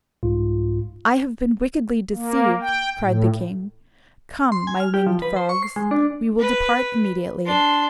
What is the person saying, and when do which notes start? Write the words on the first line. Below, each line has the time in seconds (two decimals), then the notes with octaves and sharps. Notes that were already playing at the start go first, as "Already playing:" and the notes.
"I have been wickedly deceived!" cried the king; "come, my winged frogs, we will depart immediately."
0.23 C2 G#2 F4
2.13 A#3
2.60 G5
3.00 A2
4.52 C6
4.67 G#5
4.80 F6
4.94 G4
5.07 F3
5.22 B4
5.36 C5
5.49 C#6
5.63 C7
5.76 G#3
5.91 D4
6.40 B4
7.46 D4 C6